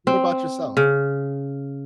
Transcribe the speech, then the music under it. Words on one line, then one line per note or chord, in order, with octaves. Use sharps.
what about yourself?
C4
C#3